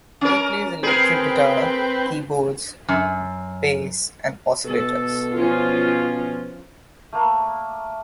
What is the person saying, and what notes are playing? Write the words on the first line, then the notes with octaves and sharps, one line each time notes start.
He plays electric guitar, keyboards, bass and oscillators.
C#4 A#4
C4 G#4 A#4 B4 G5
F#2
B2 A4
F3 C#4 F4
A3 A#3